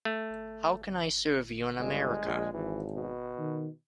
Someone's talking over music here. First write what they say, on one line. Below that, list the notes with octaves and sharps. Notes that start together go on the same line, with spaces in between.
How can I serve you in America?
A3
G1 G#3
A#1
G#1 E3
B2
D#3